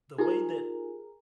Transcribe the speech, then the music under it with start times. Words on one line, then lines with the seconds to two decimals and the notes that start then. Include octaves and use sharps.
the way that
0.18 D#4 F4 G4 G#4 A#4